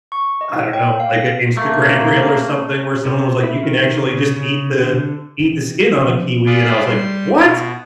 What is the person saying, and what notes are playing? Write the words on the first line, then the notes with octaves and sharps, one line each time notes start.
I don't know, like, an Instagram reel or something where someone was like, you can actually just eat the eat the skin on a kiwi, and I was like, "What?"
C#6
D#5
G5
F5
A#6
A3 A#3
C3
E4
D#3
C#3
C#3
D3
D#3 E3
C#3 E3 F3
F4 G#4 B4 D5
G3 C6
B2